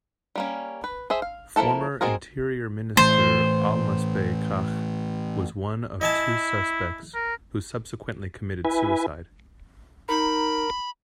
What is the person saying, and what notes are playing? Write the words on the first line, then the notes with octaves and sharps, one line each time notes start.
Former Interior Minister Almasbei Kchach was one of two suspects who subsequently committed suicide.
G3 A#3 C#4
B4
G#4 C5 E5
F5
F3 A#3 E4 A4 A5
G#3 C4 F#4 G#4 A#4
A2 E3 A3 C5
E4 D#5 G#5 A5
A#4
E4 B4 G#5
D#4 A#4 B5